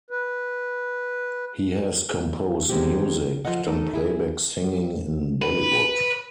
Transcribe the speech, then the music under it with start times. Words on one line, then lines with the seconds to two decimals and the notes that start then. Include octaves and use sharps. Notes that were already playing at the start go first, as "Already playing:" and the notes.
He has composed music, done playback singing in Bollywood.
0.11 B4
2.70 D#3 G#3 B3 C4 G4
3.45 F3 F4 A4 D#5 F#5
3.67 D#3 A3 D#4 A4
3.94 E4 G#4
5.42 B4